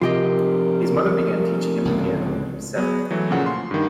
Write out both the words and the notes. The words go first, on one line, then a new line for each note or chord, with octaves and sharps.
His mother began teaching him the piano when he was seven.
C3 F3 F4 G4 A#4 D#5
C#2 A2 D3
F#3 B3 G#4
E3 F#3 A3
A#2 C#3 F3 F#5
C6
G2 D#3